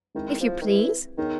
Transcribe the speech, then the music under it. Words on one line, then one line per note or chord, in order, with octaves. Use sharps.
"If you please."
D#3 G#3 C4 E4
F3
D#3
E3
D#3 B3 D#4 G#4 C#5